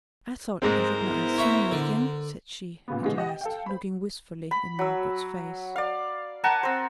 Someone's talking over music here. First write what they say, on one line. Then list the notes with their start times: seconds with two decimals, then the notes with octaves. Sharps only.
'I thought I should na' ha' seen yo' again,' said she, at last, looking wistfully in Margaret's face.
0.62 G#2 G#3 C4 A#4 C5
0.99 B3 E4
1.38 C#5 E5
1.72 D3
2.88 A#2 C#3 B3
3.03 B2 D3 E3 G#3
3.16 G4 D#5 F#5
3.29 G5
3.41 A4 F5 G5
3.66 C5 B5
4.51 B5
4.79 F#3 E6
5.76 D5 F5
6.44 A#4 F#5 G#5 A5
6.63 C4 C5